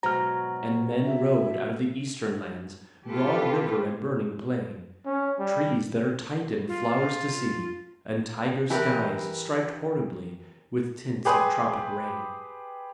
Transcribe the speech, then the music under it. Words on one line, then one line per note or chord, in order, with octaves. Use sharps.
And men rode out of the eastern lands, Broad river and burning plain; Trees that are Titan flowers to see, And tiger skies, striped horribly, With tints of tropic rain.
G#2 B2 F#3 A#5 F6
E5
F4 G4 A4 B4
C#4
G3
F4
E3 G4 A#4 B4
G4 G#4 B4 C6 D#6